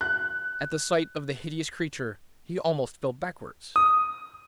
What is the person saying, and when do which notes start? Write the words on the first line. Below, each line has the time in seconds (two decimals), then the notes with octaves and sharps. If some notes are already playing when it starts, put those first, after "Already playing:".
At the sight of the hideous creature he almost fell backwards.
0.01 F#6
3.76 D#6